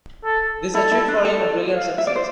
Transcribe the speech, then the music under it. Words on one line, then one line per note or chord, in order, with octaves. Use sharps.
These achieved for him a brilliant success.
A4
E4 A4
E4
D4
A4
F5
E5
D5
C5